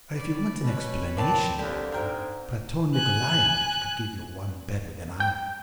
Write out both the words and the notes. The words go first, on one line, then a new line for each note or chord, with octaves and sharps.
"If you want an explanation, baron, Platon Nikolaevitch could give you one better than I."
C#4 B4 D5
B2 C#4 B4 C#5
A#3 C4 D5 A5
D#2 D3 C4 G4
G#2 A#4 G5
G#5 F#6
G5